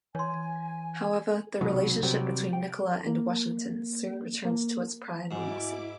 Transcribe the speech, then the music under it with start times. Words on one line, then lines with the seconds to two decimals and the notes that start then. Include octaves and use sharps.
However, the relationship between Nicola and Washington soon returned to its prior normalcy.
0.15 E3 C#5 G#5 C6
1.61 C2 B2 D#3 F#3
2.03 C3 F#3 G3 C4
2.53 G5
3.07 A#3
4.45 A#3
5.31 G#2 E4 F#4 G#5 D6